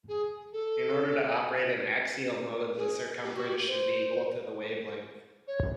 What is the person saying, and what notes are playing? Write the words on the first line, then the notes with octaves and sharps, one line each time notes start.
In order to operate in axial-mode, the circumference should be equal to the wavelength.
G#4
A4
G#4
G4
F#4
G4
C5
C#5